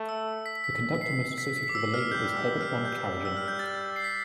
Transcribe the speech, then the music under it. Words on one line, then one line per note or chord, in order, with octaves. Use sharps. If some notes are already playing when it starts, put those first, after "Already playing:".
The conductor most associated with the label is Herbert von Karajan.
Already playing: A3
E6
B6
B6
B6
C7
B6
B6
D6
E6
F6
G3 G6
E6
F6
G6
E6
F6
G6
A6
C7
B6